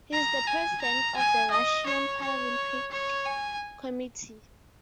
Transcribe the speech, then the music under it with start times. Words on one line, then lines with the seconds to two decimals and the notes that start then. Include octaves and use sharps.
He is the President of the Russian Paralympic Committee.
0.13 A#5
0.47 G#5
0.82 A#5
1.17 G#5
1.51 D#5
1.87 C#5
2.22 C#5
2.92 C#5
3.25 G#5